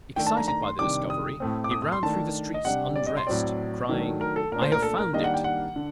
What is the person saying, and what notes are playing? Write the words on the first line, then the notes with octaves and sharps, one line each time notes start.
Excited by the discovery, he ran through the streets undressed, crying, "I have found it."
D#3 A3 D4 G5
A5
A#5
A#5
C6
C3 D#3 G3 D4 D6
D#6
A2 A3 C4
D6
D#6
D#6
C6
D#3 A3 D4 A5
D#5
C3 G3 D4 F#5
D5
D#5
C6
A2 F#3 C4 D5
D#3 F#3 A3 D4
A#4
A4
A#2 A3 D4 A#4
C5
A#4
A4
A#4
D#3 G3 A#3 D4 D#5
F#5
G5
F#5
D3